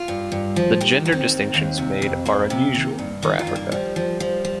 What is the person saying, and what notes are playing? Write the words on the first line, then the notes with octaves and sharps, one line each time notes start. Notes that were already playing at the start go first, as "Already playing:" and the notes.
The gender distinctions made are unusual for Africa.
Already playing: F4
G2
G2
F3
D#3 G4
D#3
C4
D#2
D#2
C3
F2
F2 A#3
C3
D#3
G2
D#3 D#4
F4
G2
A#3
F3 G3
F3
F3
F3